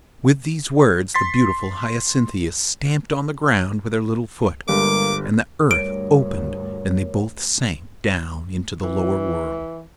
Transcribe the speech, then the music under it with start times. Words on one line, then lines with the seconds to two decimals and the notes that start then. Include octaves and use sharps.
With these words the beautiful Hyacinthia stamped on the ground with her little foot, and the earth opened and they both sank down into the lower world.
1.15 C6 A6 B6
4.68 G1 G3 G#3 A#3 G4 D6
5.71 D2 G2 A#4 C#5 D7
8.83 E3